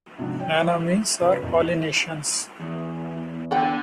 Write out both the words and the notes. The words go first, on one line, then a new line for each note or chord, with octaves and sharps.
Nanumeans are Polynesians.
G#2 C3 F3 F#3 D4 F#4
C#5 G5
E5
C#3 F4 F#4 B4
E2 B2
E3
E2
D3 A4 F#5 G5